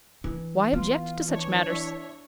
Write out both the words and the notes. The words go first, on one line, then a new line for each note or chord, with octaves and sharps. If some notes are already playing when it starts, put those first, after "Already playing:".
Why object to such manners?
E3 D4 E4
B3 F4
E3 D4 C#5
E4 E5